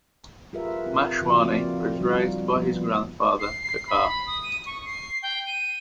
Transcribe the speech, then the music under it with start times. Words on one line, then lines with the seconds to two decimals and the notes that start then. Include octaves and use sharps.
Mashwani was raised by his grandfather Kakar.
0.53 F4 G4 G#4 A#4 B4 E5
0.86 C4 F4
1.21 C#3 F3 F4 F#4
1.43 A#3 C4 D5
2.01 G3 D#4 F4 F#4
2.56 F3 B3
3.39 C7
3.63 C7
3.87 B5
4.27 D#6
4.43 D#7
4.66 C#6
4.85 C7
5.23 G5
5.47 D#7